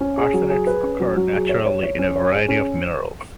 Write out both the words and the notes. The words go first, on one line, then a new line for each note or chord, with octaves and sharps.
Arsenates occur naturally in a variety of minerals.
C#4
G#4
F#3
G#4
B4
C#4
F#3
F#3
G#4
C#5
C#5
C#5
C#4
C#5
G#4
C#4